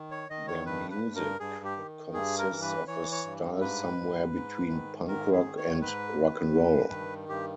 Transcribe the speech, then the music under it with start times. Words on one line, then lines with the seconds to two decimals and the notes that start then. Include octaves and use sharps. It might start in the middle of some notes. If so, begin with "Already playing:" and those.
Their music consists of a style somewhere between punk rock and rock n' roll.
Already playing: D#3
0.11 C#5
0.30 D#3 D#5
0.48 C#5
0.66 G2 B4
0.91 B4
1.03 G2
1.15 A#4
1.40 G2 G#4
1.65 G4
1.77 D#3
2.13 G2 G#4
2.38 A#4
2.50 E3
2.62 B4
2.87 E3 C#5
3.11 C#5
3.24 G2
3.60 G#2 B4
3.97 G#2
4.35 G#2
4.71 D#3
5.08 G#2 A#4
5.32 G#4
5.45 D#3
5.57 C#5
5.81 G#2 B4
6.18 D#3
6.55 G2
6.92 D#3
7.29 G2 G4